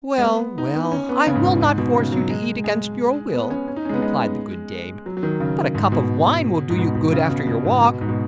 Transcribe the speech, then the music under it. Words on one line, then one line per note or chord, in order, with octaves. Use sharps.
"Well, well, I will not force you to eat against your will," replied the good dame "But a cup of wine will do you good after your walk."
G#3
B3
D#4
B3
C#4
B3
C#3
G#2
B2
G#2
B2
C#3
F#3
G#3
G#3
B3
C#4
C#4
D#4
C#4
G#3
B3
G#3
F#3
F#3
D#3
C#3
G#2
B2
G#2
B2
B2
C#3
B2
B2
G#2
B2
G#2
B2